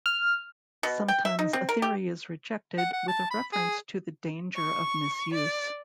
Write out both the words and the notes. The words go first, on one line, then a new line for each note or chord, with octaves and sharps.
Sometimes a theory is rejected with a reference to the danger of misuse.
F6
B2
G5
E5
D#4
C4
A#4
G4
F#5
F#5
A5
B5
G#4
C#6
D5